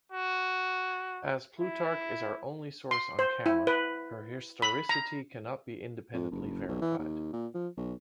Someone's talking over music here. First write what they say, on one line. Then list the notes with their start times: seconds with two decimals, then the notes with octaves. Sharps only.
As Plutarch is our only source on Camma, her historicity cannot be independently verified.
0.12 F#4
1.59 E4
2.91 C6
3.19 C5
3.46 E4
3.67 B4
4.62 B5
4.89 A#5
6.13 F2
6.31 F#1
6.68 B1
6.81 E3
6.98 D#2
7.33 A#2
7.54 F3
7.77 B1